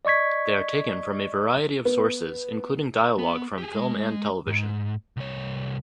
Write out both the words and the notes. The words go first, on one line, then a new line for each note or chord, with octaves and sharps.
They are taken from a variety of sources including dialogue from film and television.
D5 D#5 C#6 G#6 B6
B3
B3
G4 G#4
G#3
G#2
C2 C#5